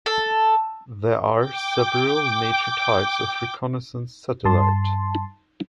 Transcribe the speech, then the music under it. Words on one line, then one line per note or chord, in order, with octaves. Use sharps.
There are several major types of reconnaissance satellite.
A4
G5 D6
G2 A5 C6